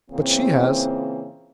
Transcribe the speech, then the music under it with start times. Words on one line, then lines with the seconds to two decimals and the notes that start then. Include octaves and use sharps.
But she has.
0.10 A#2 C#3 E3 A#3 C4